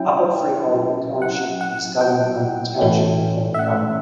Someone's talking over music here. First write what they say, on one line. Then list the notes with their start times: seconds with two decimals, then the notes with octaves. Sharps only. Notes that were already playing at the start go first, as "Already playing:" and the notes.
Upper Freehold Township is governed under the Township form of government.
Already playing: F#3 C#4 E4 G5
1.22 F#5
1.61 F#5
2.01 G5
2.79 A2 E3 A3 C#4
3.54 E5
3.59 F#5